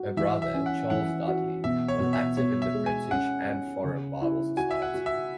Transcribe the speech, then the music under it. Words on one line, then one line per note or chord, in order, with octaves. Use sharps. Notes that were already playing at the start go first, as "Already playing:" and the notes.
Her brother Charles Dudley was active in the British and Foreign Bible Society.
Already playing: F#4
E3 E5
E5
C#4
F#5
E3 F#5
F#4
B2 E5
C#5
B2
E5
B2 C#5
E5
G#3
G#5
C#4 F#5
C#4
C#3
E4
F#4 G#5
E5
F#5
F#4
E5